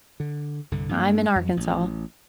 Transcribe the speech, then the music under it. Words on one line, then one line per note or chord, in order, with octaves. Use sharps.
I'm in Arkansas.
D3
C2 G2 D3
G2 A#3
F2 F#3
A1